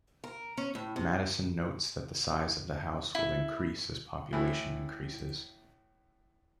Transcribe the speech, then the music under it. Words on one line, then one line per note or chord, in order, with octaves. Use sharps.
Madison notes that the size of the House will increase as population increases.
A#4
C#4
A2
C3
E4
A2 E3 E4